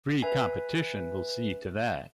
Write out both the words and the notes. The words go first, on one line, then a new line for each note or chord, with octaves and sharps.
Free competition will see to that.
B4 E5 G#5